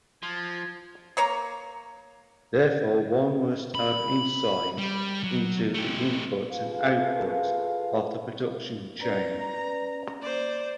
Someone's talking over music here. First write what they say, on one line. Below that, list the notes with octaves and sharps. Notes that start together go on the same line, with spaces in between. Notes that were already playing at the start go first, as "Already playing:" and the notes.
Therefore one must have insight into the inputs and outputs of the production chain.
F3 G#6
A#3 C#5 A#5
B5
G3
F#3
A3 G4
F4 G#4 A4 B4 F5
C#4 B4 D5 A#5
A#3 C5 D5